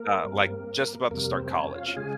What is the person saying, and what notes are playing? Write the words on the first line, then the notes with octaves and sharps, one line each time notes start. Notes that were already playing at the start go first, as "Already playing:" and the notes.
uh, like, just about to start college,
Already playing: A#3 A#4
G2 G3 C4
F2 C3 G3 A#3 A#4
C4 C5
C5
C#4 C#5
F4 F5
C#3 G#3 G#4 G#5